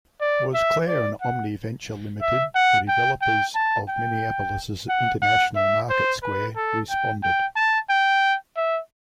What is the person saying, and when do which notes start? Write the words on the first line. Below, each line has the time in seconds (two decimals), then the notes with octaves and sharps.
Boisclair and Omni Venture, Limited the developers of Minneapolis' International Market Square, responded.
0.21 D5
0.54 E5
0.88 D5
1.21 F#5
2.21 E5
2.55 F#5
2.88 G5
3.21 G5
3.55 A5
3.89 G5
4.89 F#5
5.22 F#5
5.56 E5
5.89 C5
6.23 B4
6.56 A4
6.90 G5
7.23 G5
7.56 A5
7.90 G5
8.57 E5